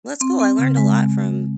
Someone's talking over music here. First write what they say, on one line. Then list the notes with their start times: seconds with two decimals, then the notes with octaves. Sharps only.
That's cool, I learned a lot from
0.21 C4
0.40 C4
0.59 C#3
0.77 G#3